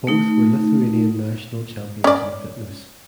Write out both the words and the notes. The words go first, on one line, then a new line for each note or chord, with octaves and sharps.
Both were Lithuanian National Champions in Fitness.
A3 D#4
C#4 D5